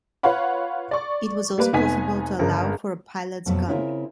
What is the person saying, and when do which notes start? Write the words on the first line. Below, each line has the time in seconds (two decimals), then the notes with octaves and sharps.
It was also possible to allow for a pilot's gun.
0.23 F4 B4 C#5 F5 F#5 B5
0.91 D5 C#6
1.58 G3 A#3 B4
1.73 F1 B3 D#4 G#5 B6
2.39 G1 C#3 A#4
3.46 F2 B2 F3 F#3 A3
3.68 C#3 C4 E4 F4 A#4